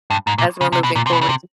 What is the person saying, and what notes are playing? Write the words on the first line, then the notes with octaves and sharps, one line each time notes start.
as we're moving forward.
G2
G#2
A#2
C#3
C3
B2
A#2
C3
B2
C#3
C3